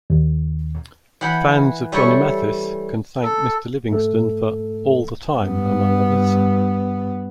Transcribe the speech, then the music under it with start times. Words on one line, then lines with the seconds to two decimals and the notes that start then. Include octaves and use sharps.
Fans of Johnny Mathis can thank Mr. Livingston for All The Time among others.
0.10 D#2
1.21 E3 F#5 G5 B5
1.92 G3 A3 A4 C#5 E5
3.23 A4
3.91 G#2 A3 A4
5.35 G2 B3